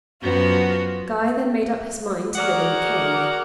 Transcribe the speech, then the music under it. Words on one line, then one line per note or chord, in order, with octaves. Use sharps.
Guy then made up his mind to live in the cave.
F#2 F3 B3 F#4
F#4 G#4 A#4 D5 F#5